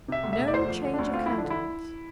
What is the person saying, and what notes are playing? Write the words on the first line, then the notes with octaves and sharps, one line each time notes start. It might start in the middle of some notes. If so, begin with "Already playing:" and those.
No change of countenance.
C3 E5
D2
E1 E5
D5
D2 C5
F3
D3
D2 D4
C4 F4
F3 E4
D4
D3
E4